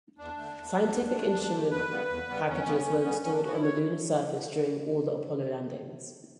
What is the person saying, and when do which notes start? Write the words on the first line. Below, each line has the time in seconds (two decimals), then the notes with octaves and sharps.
Scientific instrument packages were installed on the lunar surface during all the Apollo landings.
0.19 E2 D4
0.37 D3 A3
0.57 E2
0.75 D3 A3
0.95 E2
1.14 D3 A3
1.33 E2
1.52 D3 A3
1.71 E2 B4
1.91 C#3 G3 B3
2.09 E2
2.29 C#3 G3 B3
2.48 E2 C#4
2.67 C#3 G3 B3
2.86 E2
3.04 C#3 G3 B3
3.24 E2 C#4
3.33 D4
3.43 C#3 E3 B3 F#4
3.53 E4
3.62 C#5